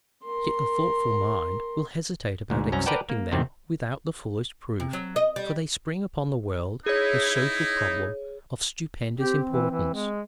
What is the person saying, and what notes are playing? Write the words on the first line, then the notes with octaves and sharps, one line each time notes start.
Yet the thoughtful mind will hesitate about accepting them without the fullest proof, for they spring upon the world a social problem of stupendous importance.
A#4 C6
D2 G#2
C2 F#2 C#4 A#5
A#4 B4 D5 F#5 G5 A5
A#3
E2 C3 D#3 C4
C3
F#3
D#5
G3
D#4 E4 G#4 C#5
C4 G4
E3
E3
G#3